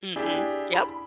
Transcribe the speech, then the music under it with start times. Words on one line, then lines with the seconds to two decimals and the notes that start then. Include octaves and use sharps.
Mhm, yep.
0.16 D4 E4 G4 G#4
0.73 B5